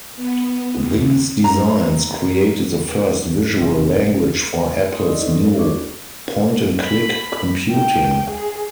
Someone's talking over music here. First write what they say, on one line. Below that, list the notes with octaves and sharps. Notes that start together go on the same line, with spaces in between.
These designs created the first visual language for Apple's new point-and-click computing.
B3
D#2
A#5
F1 C4
G#3 D5 C6 D#6
D#4 E4 D5 D#5
C4 C#4 D#4 A4 B4 C5
A4 A#4 C#5
D4 F#4 G#4 D5 C#6 D6
B5
G5
G#4